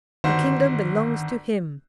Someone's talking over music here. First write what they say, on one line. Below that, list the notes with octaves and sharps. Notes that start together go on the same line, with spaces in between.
"The kingdom belongs to him."
G1 D#3 F#4 C5